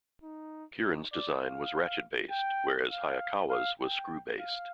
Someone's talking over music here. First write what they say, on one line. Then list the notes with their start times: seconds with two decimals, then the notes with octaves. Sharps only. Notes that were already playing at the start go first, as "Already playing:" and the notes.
Keeran's design was ratchet-based, whereas Hayakawa's was screw-based.
0.23 D#4
0.83 D#4
1.12 D5
1.42 F5
2.31 G5
2.90 F5
3.50 F5
3.80 G5
4.39 F5